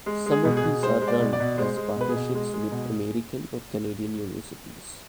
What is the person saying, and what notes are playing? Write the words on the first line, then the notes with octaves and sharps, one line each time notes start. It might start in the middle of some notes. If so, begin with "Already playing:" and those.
Some of these are run as partnerships with American or Canadian Universities.
G#3
G#3
G#4
B2
G#4
B2
G#3 C5
G#3
D5
B2
D5
B2
G#3 C5
G#3
B2 B4
G#4
B2
G#3
G#3
B2